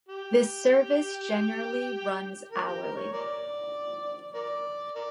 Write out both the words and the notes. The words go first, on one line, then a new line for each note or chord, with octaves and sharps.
This service generally runs hourly.
G4
A#4
G4
A#4
C#5
A#4 D5
A#4 D5
A#4 D5